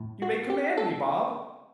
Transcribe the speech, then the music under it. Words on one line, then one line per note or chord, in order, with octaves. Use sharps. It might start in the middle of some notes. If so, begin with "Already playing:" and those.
You may command me, Bob.'
Already playing: A2
F#4
G4
A4